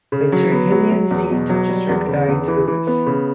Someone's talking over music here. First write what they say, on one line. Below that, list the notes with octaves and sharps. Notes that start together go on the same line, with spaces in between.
The Tyrrhenian Sea touches Ricadi to the west.
C#3
F#3
B3
F#3
F#3
E2
B2
F#3
G3
E2
C#3
E2
E3
E3
B3
C#3